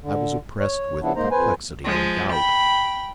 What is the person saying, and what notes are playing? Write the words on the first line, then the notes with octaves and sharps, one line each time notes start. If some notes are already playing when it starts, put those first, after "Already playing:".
I was oppressed with perplexity and doubt.
D3
C#5
C#3 F3 B3 D4 E4
G#2 A#3 D#4 C5 A#5
F2 B4 C5 G#5
F3 G#3
G5 B5